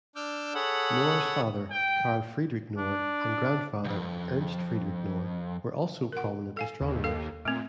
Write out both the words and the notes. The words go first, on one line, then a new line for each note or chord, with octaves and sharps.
Knorre's father, Karl Friedrich Knorre, and grandfather, Ernst Friedrich Knorre, were also prominent astronomers.
D4 D6 E6 F6 G6
G#4 A4 C#5 F#5 B5
G5
D4
C2 F2
A#4 F#5
A4 F5 G#5
D#2
A4 F5
A#2 A3 C4